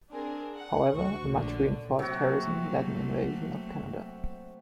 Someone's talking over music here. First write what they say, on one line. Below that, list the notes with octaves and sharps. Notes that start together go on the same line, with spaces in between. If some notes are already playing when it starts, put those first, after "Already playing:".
However, a much reinforced Harrison led an invasion of Canada.
C4 D4 G#4 A#4
F#5
D2 F#4 C#6
A#1 D3
C3 F#3 A3 A#3 F#4